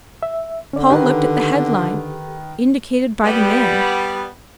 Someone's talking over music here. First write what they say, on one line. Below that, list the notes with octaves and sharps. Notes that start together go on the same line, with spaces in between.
Paul looked at the headline indicated by the man.
E5
D3 C#4 D5
D#3 G4 A4 B4
G3 B3